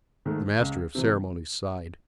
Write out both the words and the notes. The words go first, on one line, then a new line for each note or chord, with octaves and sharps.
The Master of Ceremonies sighed.
G#2 D#3 A3
C#2
C3 E3